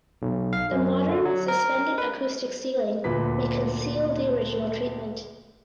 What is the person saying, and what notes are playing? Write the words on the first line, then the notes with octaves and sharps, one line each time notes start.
The modern suspended acoustic ceiling may conceal the original treatment.
B1
F5
F#2
D3
F#3
A#4
B4
D2 A#2 B4 B6